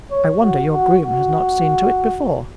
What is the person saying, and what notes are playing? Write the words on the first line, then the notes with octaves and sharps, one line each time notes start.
I wonder your groom has not seen to it before.
C#5
F#4
F#4
F#4